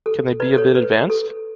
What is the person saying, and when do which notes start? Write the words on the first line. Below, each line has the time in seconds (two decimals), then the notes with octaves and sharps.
Can they be a bit advanced?
0.06 A4
0.40 B4 D5
0.57 A4 C#5
0.75 B4
1.10 A4